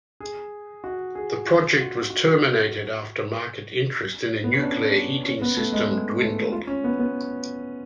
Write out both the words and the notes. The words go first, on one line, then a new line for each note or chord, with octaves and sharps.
The project was terminated after market interest in a nuclear heating system dwindled.
G#4
F#4
G#4
F4
F#4
F#4
B3
C#4
D4
C#4
B3
A3
G#3
G#3
A3
F4
C#4
B3
B3